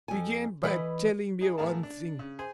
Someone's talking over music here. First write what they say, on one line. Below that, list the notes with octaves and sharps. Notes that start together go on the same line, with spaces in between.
Begin by telling me one thing.
F2 G#5
E3 B4 D#5
D#4 G#4
A2 B3 G#4 A#4 F5 A5
D4
C#3
G#4 C5 G#5